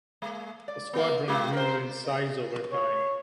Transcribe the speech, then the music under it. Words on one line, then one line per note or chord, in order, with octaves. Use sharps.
The squadron grew in size over time.
G#3 A#3
D5
A#3 B3
G#3 F4 G4
A#4 C5
C#5